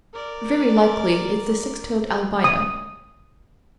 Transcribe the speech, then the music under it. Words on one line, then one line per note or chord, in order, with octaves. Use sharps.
Very likely it's the six-toed albino.
A#4 D5
D#6